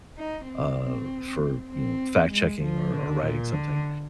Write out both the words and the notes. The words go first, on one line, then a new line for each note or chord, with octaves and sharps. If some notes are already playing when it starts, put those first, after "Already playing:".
uh, for, you know, fact checking or or writing something.
D#4
C4
C4
G#3
F3
D3
A#2
D3